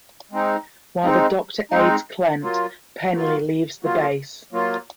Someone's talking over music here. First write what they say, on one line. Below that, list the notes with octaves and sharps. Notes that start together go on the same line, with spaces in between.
While the Doctor aids Clent, Penley leaves the base.
G#3 C4 D#4
G#3 C4 D#4
G#3 C4 D#4
F#3 A#3 F4
F#3 A#3 F4
F#3 A#3 F4
F#3 A#3 F4